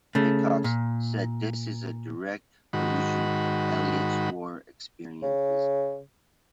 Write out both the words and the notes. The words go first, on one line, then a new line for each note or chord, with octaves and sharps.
Hickox said this is a direct allusion to Elliott's war experiences.
C#3 A3
A#2
G#2 D#3 F#4 B5
C#3